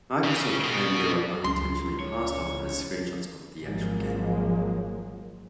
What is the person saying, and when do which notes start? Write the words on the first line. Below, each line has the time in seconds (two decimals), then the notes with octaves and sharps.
Microsoft claimed they were unintentionally passed off as screenshots of the actual game.
0.24 C#3
0.64 B2
1.44 C#2 C6
2.00 C#5
3.62 G#1 F3 F#3 G#3 A#3